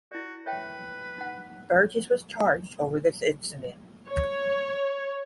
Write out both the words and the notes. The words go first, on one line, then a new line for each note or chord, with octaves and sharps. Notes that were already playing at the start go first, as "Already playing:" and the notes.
Burges was charged over this incident.
E4 F#4 D5
B4 C#5 E5 G5
D#4 F#5
C#5